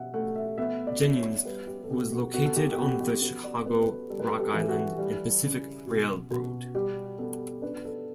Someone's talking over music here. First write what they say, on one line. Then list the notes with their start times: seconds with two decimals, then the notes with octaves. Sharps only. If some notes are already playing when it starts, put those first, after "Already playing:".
Jennings was located on the Chicago, Rock Island and Pacific Railroad.
Already playing: B2 E5 F#5
0.14 A3 F#5
0.36 E5
0.58 B3 E5
0.87 D5
1.02 B3
1.16 C#5
1.45 G3 B4
1.67 G4
1.84 A4
1.90 B2 G4
2.12 F#4
2.34 B3 F#4
2.46 A4
2.56 G4
2.72 G4
2.78 B3 F#4
3.00 G4
3.21 B3 F#4
3.44 D5
3.66 B3 B4
3.83 B4
3.89 A4
4.10 G3 A4
4.19 B4
4.28 A4
4.40 G4
4.54 E3
4.68 F#4
4.98 G3
5.42 C#3
5.86 B2 F#4
6.30 B2 F#4
6.75 G3 G4
7.19 B3 A4
7.62 D4 B4
7.85 A4